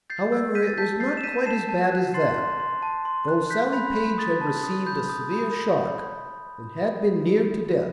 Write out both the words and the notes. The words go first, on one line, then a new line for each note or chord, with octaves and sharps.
However it was not quite as bad as that, though Sallie Page had received a severe shock, and had been near to death.
G6 A6 C7
E6
G6 B6 D#7
A6
A5 G6 B6
G6 A6 C7
E7
G6 B6 D#7
A5 C7 E7
A5
F#6
C6 A6 C7
C6
C6
A5
C6
F#6
F#6 G6 B6
B5
B5
D#6 A6
A5
D#6
B5 G6
D#6
B5